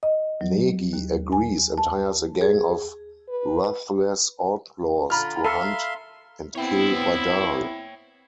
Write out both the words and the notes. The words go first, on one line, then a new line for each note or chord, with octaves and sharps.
Negi agrees and hires a gang of ruthless outlaws to hunt and kill Badal.
D#5
F#3
D#2
G#5
A5
G#4
B4
D3 F4 A#5 B5 F6
A4 E5 F5 C6
B3 C4 E4 C#5 G5